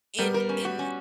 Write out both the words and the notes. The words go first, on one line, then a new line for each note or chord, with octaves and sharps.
in in
G3 B3 A#4
A#4
C#4
F#4
C#4